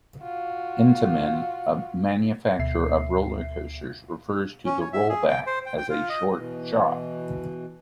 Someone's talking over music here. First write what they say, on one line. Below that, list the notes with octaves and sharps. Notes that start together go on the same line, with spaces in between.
Intamin, a manufacturer of roller-coasters, refers to the "rollback" as a "short shot".
F4 F#4
D2 B2 E5 C7
C#4
C#5
E5
G#4
G5
C5
G5
G5
F4
D#5
B2 E3